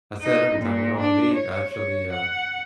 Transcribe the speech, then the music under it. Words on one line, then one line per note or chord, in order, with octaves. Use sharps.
I say it every time, you know, in League, I actually, uh,
D#4
A#2
D4
C#5
C#5
F#5